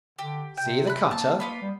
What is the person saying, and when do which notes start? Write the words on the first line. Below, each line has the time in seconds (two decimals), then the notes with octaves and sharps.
"See the cutter?"
0.19 D3 G4
0.57 C3 G5
0.87 B5 F#6
1.11 A#3 A5
1.40 B3 F4 B5
1.62 G3